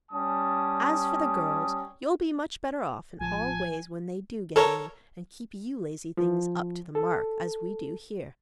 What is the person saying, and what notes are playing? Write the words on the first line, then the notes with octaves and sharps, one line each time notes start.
As for the girls, you'll be much better off in all ways when they do get in, and keep you lazy things up to the mark, as we do here.'
G3 C#4 A5 D#6
A1 F3 G#5 A5
A4 A#4 C#5
F3
A4